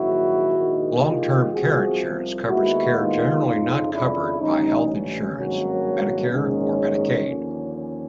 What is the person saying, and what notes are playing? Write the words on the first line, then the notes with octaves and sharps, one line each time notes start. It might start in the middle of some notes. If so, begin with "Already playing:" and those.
Long-term care insurance covers care generally not covered by health insurance, Medicare, or Medicaid.
Already playing: A#1 G#2 D#3 F#3 E4 F#4
A#1 G#2 D#3
F4 G4
C2 C3 F3 F#4 G#4
D#2 D#3 G#3 B3 E4 F#4
D#4 F4
F2 C#3 F3
D4 E4
A1 G2 D3 C#4 D#4
C#4
G#1 G2 D#3 F#3 A#3
A#1 G#2 D#3 G#3 C#4
D#2 D3 F3
C#4